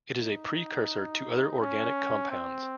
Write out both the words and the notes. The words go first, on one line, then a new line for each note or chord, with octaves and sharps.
It is a precursor to other organic compounds.
D#4
C#4
C4